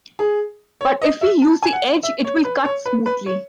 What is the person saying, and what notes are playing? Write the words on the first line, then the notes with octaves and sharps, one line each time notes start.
But if we use the edge, it will cut smoothly.
G#4
C#5
D#5
E5
A5
G#5
F#5
E5
C#5
B4
C#5
B4
B4
C#5